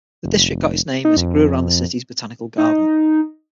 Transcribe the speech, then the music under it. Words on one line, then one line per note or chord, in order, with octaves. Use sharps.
The district got its name as it grew around the city's Botanical Garden.
F1
D#4
F2
D#4